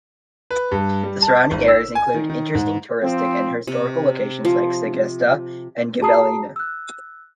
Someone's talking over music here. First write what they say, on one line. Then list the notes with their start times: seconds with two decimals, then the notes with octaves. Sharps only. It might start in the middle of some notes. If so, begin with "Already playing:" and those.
The surrounding areas include interesting touristic and historical locations like Segesta and Gibellina.
0.51 B4
0.72 G2
1.03 G3
1.22 A5
1.51 G#1
1.68 E6
1.95 G#5
2.14 D#3
2.30 D#3
2.55 G#2
3.03 F3 C4
3.67 C3
4.45 F3
6.01 F#4 G#4 A5 A#5 D#6 C7
6.56 E6 F#6